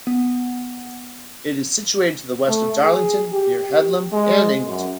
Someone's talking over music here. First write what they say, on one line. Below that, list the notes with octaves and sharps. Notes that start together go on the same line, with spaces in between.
It is situated to the west of Darlington, near Headlam and Ingleton.
B3
A3
G#4
G4
G4
G#3
F#2